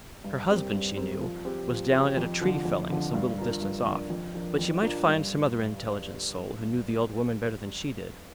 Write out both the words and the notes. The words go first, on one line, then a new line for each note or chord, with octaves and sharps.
Her husband, she knew, was down at a tree-felling some little distance off, but she might find some other intelligent soul who knew the old woman better than she did.
G2
G3 C4 G4 A#4
G2
G3 C4 G4 A#4
F3
C4 G4
F3
C4 G4
F2
D3 F3
F2
D3 F3
G2
F3 D4 A#4
G2
F3 D4 A#4
F2
F3 D4 A#4
F2
F3 D4 A#4
G2